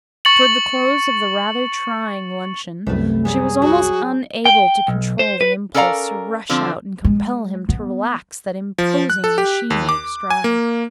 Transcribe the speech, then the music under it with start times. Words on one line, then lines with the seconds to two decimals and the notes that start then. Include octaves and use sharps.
Toward the close of the rather trying luncheon she was almost unable to control the impulse to rush out and compel him to relax that imposing, machine-like stride.
0.25 C#6 A6 C#7 F#7
2.87 C2 F#2 A3 B4
3.25 F#3 G3 B3 G#4
3.62 F#3 F#4
4.45 G5
4.88 B1
5.19 C5
5.41 B4
5.74 C#4 A4 A#4 D5 F5 A#5
6.49 D3 F3 C4
7.05 G#3
7.69 B3
8.78 F3
9.10 F#6
9.24 A4
9.38 G4
9.70 D#2
9.89 D6
10.30 G#5
10.44 A#3